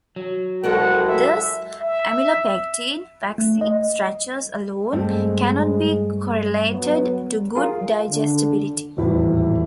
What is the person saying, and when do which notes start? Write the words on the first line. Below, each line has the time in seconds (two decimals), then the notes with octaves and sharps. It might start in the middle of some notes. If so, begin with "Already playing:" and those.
Thus, amylopectin, waxy starches alone, cannot be correlated to good digestibility.
0.16 F#3
0.63 C2 G#3 F#4 A4 A#4 F#5
1.07 E5
1.80 E5
3.38 A3
3.61 D#5
4.92 G2 G#3 A3 C4
6.72 F#3 B3
7.55 F4 G#4 A#4
8.09 D3
8.97 D#1 G#1 E2 A2 E4